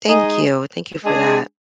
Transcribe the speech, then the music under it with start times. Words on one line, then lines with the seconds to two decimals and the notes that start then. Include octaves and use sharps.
thank you, thank you for that,
0.07 G#3 D#4 G#4 D#5
1.04 G#3 D4 G#4